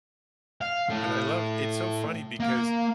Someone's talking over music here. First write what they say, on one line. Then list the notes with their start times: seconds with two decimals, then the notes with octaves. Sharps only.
And I love it's so funny because
0.61 F5
0.90 A2
2.40 A#3